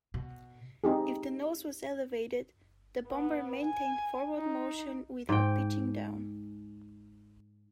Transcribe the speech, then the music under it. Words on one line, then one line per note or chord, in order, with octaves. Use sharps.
If the nose was elevated, the bomber maintained forward motion without pitching down.
B2
C4 D#4 G4 G#4
B3
G#5
D#4
G#2 G5